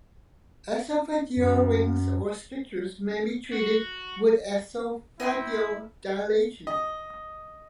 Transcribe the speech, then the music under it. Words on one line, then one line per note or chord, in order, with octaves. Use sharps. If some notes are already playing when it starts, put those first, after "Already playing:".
Esophageal rings or strictures may be treated with esophageal dilation.
F#2
F#4
E4 D#5 G5 C6
D#5